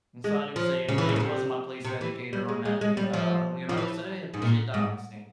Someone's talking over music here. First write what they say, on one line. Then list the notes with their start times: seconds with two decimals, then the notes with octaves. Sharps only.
and so I didn't say anything, it wasn't my place to educate her on that, e uh uh, you know, just today, I appreciate the honest thing.
0.24 G#3
0.56 F3
0.88 C#3
0.98 E3
1.09 C#3
1.16 A#2
1.20 C3
1.85 C3
2.01 E3
2.33 G3
2.49 G#3
2.65 G#3
2.81 G#3
2.97 G3
3.13 F3
3.69 F3
3.78 E3
4.34 G#2
4.42 A#2
4.74 G#2